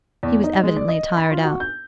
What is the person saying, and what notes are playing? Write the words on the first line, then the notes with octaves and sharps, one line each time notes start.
He was evidently tired out.
E2
D#4
G#3
D5
D#5
B5
F4
F#4
G6